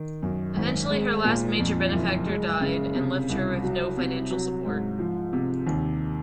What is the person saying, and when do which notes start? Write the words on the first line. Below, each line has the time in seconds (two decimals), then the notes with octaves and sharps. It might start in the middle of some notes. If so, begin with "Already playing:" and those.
Eventually, her last major benefactor died and left her with no financial support.
Already playing: D#3
0.22 F#2
0.57 G#1
0.90 G#3
1.25 A#2
1.59 F2
1.92 F#1
2.26 G#3
2.61 C#3
2.95 C3
3.29 C2
3.63 F#3
3.97 C3
4.30 F#3
4.65 G#2
4.99 F3
5.33 C3
5.67 D#2